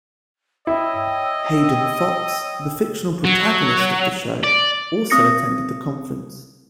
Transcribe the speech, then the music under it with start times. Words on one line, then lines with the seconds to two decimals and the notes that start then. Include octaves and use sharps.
Hayden Fox, the fictional protagonist of the show, also attended the conference.
0.67 E4 C#5 D#5 G5 E6
3.25 F#3
4.43 D5
5.10 C4 D#6 A#6 C#7